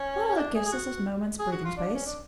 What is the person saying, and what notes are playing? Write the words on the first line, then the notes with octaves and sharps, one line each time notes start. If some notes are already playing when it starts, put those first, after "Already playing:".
Well, it gives us a moment's breathing space....
Already playing: C#4
D4
G#4
G#4
F#4
G#4
F#4
F4
D4
C#4
D4